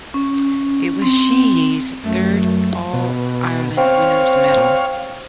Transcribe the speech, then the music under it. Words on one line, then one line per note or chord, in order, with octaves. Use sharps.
It was Sheehy's third All-Ireland winners' medal.
C#4
C4
F#2 A3
B2
C4 C#5 F5